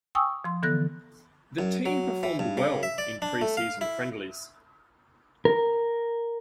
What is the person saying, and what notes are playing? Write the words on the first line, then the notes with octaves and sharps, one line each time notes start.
The team performed well in pre-season friendlies.
G5 G#5 C#6 D#6 E6
F3 C6
D3 E3 B3 A4 F#6 A#6
F#2
F#3
E3
G2
C#3
E5
D5
D4
A3
F5
E4
A#4